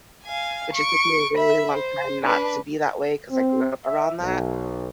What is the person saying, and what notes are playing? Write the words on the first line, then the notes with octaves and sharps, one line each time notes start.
which just took me a really long time not to be that way 'cause I grew up around that.
F5 G#5
C#6 D7
E5 B5
C5
D4 B4
C4
E5
B1